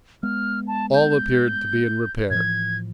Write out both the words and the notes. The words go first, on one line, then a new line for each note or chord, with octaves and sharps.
All appeared to be in repair.
G#3 B3 F6
A5
G6
A2 E3 F3 G#6